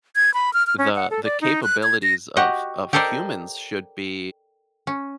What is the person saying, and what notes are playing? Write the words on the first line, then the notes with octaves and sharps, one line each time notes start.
the the capabilities of of humans should be,
G#6
B5
F6
F6
C#4
F#5
A4
D5
D#4
F#6
G#6
A#6
F#4 G4 D#5 F#5
G4 A4 A#4 C5 D5 D#5
C#4